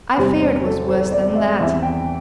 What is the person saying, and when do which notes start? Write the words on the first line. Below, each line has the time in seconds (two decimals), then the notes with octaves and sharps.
I fear it was worse than that.'
0.18 E2 C3 G3 C5
0.42 C5
0.64 A4
0.89 C5
1.12 D5
1.35 E5
1.59 E2 E3 C4 E5
1.83 G5